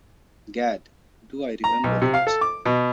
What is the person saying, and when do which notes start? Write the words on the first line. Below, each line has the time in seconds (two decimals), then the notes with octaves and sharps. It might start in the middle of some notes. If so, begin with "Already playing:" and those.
Gad, do I remember it.
1.64 A#5
1.84 B1
2.02 C3
2.14 F5
2.27 A4
2.41 D6
2.65 B2